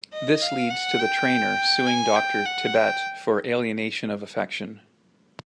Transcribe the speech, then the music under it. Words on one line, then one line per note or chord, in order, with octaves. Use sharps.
This leads to the trainer suing Doctor Tibbett for alienation of affection.
D#5
F5
F#5
G5
G#5
G5
F#5
G5